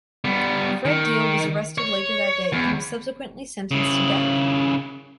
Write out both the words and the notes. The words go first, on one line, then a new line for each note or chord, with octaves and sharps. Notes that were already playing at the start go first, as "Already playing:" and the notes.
Fred Deal was arrested later that day and was subsequently sentenced to death.
G3 B3
D#3
C#5
E2
C#3 E4